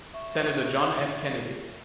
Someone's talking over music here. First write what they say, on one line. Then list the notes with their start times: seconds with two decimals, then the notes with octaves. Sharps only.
Senator John F. Kennedy.
0.14 E5 C#6